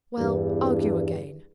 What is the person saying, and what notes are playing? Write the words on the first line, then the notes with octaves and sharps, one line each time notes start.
"Well, argue again."
E2 G2